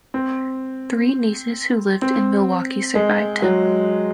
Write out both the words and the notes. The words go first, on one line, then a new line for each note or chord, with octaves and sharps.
Three nieces who lived in Milwaukee survived him.
C4
C4
G#3
F#3